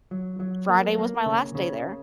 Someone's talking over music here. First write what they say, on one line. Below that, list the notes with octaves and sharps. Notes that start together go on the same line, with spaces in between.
Friday was my last day there
F#3
F#3
A#3
A#3
C#3
C#3